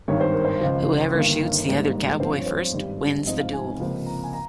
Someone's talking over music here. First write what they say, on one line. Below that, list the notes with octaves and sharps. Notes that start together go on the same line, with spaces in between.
Whoever shoots the other cowboy first wins the duel.
G#1 G2 D#3 C#5
C5
A#4
C5
C#2 C#3 F3
G1 G2 D#3 A#3
G#2 G3 A#3
G2 F3 C4 C5
C#5
C5
G#1 G2 G3
G#2 F3 C4 D#5
F5
G#5
C#2 C3 F3 A#3
A#5
G#5
A#5